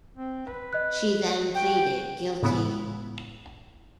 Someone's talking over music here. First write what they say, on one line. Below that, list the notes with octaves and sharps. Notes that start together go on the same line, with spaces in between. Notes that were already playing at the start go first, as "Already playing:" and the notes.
She then pleaded guilty.
C4
B4
D#5 F#6
F#4 G5
A2 C#3 G#3 B3 E4